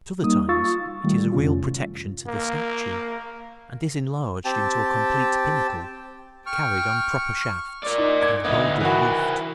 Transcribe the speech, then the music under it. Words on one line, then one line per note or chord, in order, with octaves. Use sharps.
At other times it is a real protection to the statue, and is enlarged into a complete pinnacle, carried on proper shafts, and boldly roofed.
G3 A#3 D#4 D#6
F4 F5 C#6 E6 A6
D#3 G3 A3
F2 C3 C#4 F4
A#3
C4 G4 G5 A5
G5 C#6 F6
A#4 D5
D#4
D6 G#6
D2 B3 D#4 D#5
E3 E4 F#4 A#4